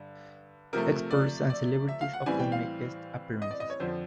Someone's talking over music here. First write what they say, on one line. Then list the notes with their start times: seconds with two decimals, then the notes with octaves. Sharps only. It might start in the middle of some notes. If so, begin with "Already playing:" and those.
Experts and celebrities often make guest appearances.
Already playing: G2 D3
0.73 C3 F3 A3 A#4
1.11 D5
1.50 D5
1.89 E5
2.01 F5
2.13 F#5
2.26 A2 E3 G3 C4 G#5
2.39 G5
2.52 F5
3.42 D#5
3.51 D5
3.60 D#5
3.70 C#5
3.80 F2 D3 F3 C5